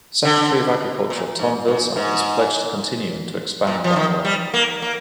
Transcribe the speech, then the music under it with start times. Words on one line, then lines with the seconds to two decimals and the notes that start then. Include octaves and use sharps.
Secretary of Agriculture Tom Vilsack has pledged to continue and to expand that work.
0.25 D3
1.10 A#2
1.39 G#2
1.68 G#2
1.96 G#2
3.67 A#2
3.84 F3
3.96 D#3
4.25 G3
4.54 A#3
4.82 A#3